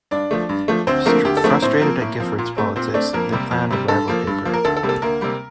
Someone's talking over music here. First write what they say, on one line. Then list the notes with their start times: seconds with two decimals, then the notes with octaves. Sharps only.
Frustrated at Giffard's politics, they planned a rival paper.
0.11 G2 D4 D5
0.31 F3 A3
0.49 G2
0.68 F3 A3
0.87 D2 C4 C5
1.06 D3 F3 A3 A#3 C4 A#4
1.25 D2 G4
1.37 A4
1.44 D3 F3 A3 C4
1.50 A#3 A#4
1.62 A2 C4 C5
1.81 F3 A#3 C4 A#4
2.01 A2
2.20 F3 C4
2.39 A#2
2.56 A3 C4
2.76 A#2 C4 C5
2.94 A3 C4 D4 D5
3.13 F2 A#3 A#4
3.32 C3 G3
3.51 F2
3.70 C3 G3
3.88 G2 A4
4.08 F3 A#3
4.27 G2
4.45 F3 A#3
4.54 A#4
4.65 D2 A4
4.77 A4
4.83 C3 G3 A#3
4.89 A4
5.02 D2 A#3 A#4
5.21 C3 G3 A#3